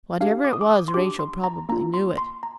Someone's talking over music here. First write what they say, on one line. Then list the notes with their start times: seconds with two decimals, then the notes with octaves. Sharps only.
Whatever it was Rachel probably knew it.
0.21 D4 G4 F5
0.45 D6
0.53 D#6
0.61 D6
0.70 D#6
0.88 C6
0.94 D4 G4 D6
1.19 C6
1.44 A#5
1.69 A#3 D4 F4 A#5
1.94 C6
2.18 C6
2.43 A#5